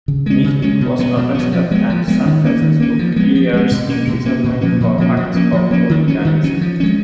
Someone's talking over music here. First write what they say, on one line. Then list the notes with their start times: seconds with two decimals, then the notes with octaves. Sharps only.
Michnik was arrested and sentenced to three years imprisonment for "acts of hooliganism".
0.08 C#3
0.26 G#3 C#4
0.44 C#3
0.62 G#3 C#4
0.81 B2
0.99 F#3 B3
1.17 B2
1.35 F#3 B3
1.53 F3
1.71 G#3 B3
1.90 F3
2.08 G#3 B3
2.25 D#3
2.44 A#3 C#4
2.61 D#3
2.80 A#3 C#4
2.99 F3
3.16 G#3 B3
3.35 F3
3.53 G#3 B3
3.71 B2
3.89 A#3 C#4
4.07 B2
4.25 A#3 C#4
4.44 A#2
4.61 F3 A#3 C#4
4.80 A#2
4.98 F3 A#3 C#4
5.17 F3
5.34 A#3 C#4
5.52 F3
5.71 A#3 C#4
5.90 D#3
6.07 F#3 C#4
6.25 D#3
6.44 F#3 C#4
6.61 F3
6.80 G#3 C#4